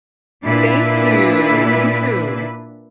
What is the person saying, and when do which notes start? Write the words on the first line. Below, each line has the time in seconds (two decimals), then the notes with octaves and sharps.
Thank you! You too.
0.44 A#2 D4 E4 B4